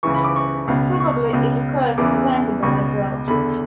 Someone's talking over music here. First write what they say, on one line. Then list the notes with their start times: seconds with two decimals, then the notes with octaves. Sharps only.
Probably it occurs in Zanzibar as well.
0.03 C#2 C#3 E3 C#6
0.14 B5
0.24 D6
0.36 C#6
0.68 C#2 B2
1.00 C#6
1.33 C#2 B2
1.98 E2 C#3 E3 D6
2.63 C#2 B2 C#6
3.27 E2 D3 B5